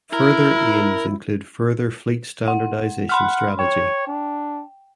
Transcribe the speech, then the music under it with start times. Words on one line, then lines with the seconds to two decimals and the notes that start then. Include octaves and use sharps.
Further aims include further fleet standardisation strategy.
0.13 E4 A#4
2.48 F#5
3.09 F#5 B5 C6 F6
3.59 C#5 G5
4.07 D4